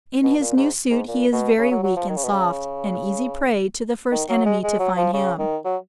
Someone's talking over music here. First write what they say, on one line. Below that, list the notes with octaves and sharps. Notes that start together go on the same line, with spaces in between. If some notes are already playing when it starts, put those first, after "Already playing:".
In his new suit he is very weak and soft--an easy prey to the first enemy to find him.
B2
A#2
G#2
G#2
A#2
B2
C#3
F#3
F#3
F3
D#3
C#3
B2
C#3
D#3
F#3
G#3
G#3
F#3
F3
C#3
D#3
F#3